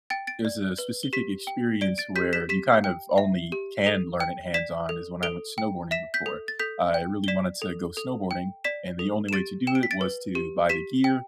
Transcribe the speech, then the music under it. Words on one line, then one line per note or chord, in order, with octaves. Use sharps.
there's a specific experience where you kind of only can learn it hands-on, is when I went snowboarding before. Uh, I really wanted to go snowboarding, and the only way to do it was to buy the gear,
G5 A6 D7
A6 D7
D5
B4
G7
G4 B6 E7
G5
D5 D7 G7
A6 D7
G4 G6 B6
B6 E7
G4 B6 E7
G5
E5
G4
A4
G5
D5 B6 E7
A4
A4 D7 G7
G5
E5 B6 E7
G6 B6
A4
A6
A4 G6 B6
G5
G7
D5 B6 E7
A4
A4
G5
D5 B6 E7
A4
E7
G4 A6 D7
G5 E7
D7
B6
A6 D7
B4
G4
G4 B6 E7
G5